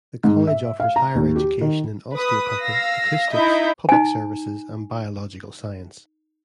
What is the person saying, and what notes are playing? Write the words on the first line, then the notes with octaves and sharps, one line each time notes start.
The college offers higher education in Osteopathy, Acoustics, Public Services and Biological Science.
G#2
E5
F5
A#5
D#2
G4
D#3
B4 D#6
F5 E6 A#6
D#4 E4 D#5 E5 G6
D#4 G#5